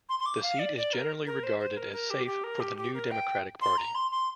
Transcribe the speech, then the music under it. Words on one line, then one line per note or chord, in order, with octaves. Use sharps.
The seat is generally regarded as safe for the New Democratic Party.
C6
C6
D6
F5
D5
D5
A#4
A#4
C5
C5
A#4
A#4
G4
G4
A#4
G4
G4
A#4
G5
C6
A#5
C6
C6